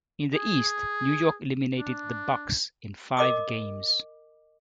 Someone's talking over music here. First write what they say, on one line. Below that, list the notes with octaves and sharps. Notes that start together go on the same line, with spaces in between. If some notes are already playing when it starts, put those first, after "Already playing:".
In the East, New York eliminated the Bucks in five games.
G#4
D4
A#4 D#5 D6 D#6